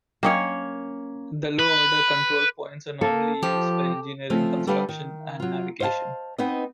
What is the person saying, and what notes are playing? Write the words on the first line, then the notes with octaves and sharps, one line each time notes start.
The lower-order control points are normally used for engineering, construction and navigation.
F#3 A#3 C#4 C#5 G5
B4
A#3 A4
F3 G4
C#3 F3 A3 C4
D3 G3 G4 A4 B4 F5
D#3
F#3 F4
C5 D#5 F5 G5 A5
B3 C4 D#4 B4 D#5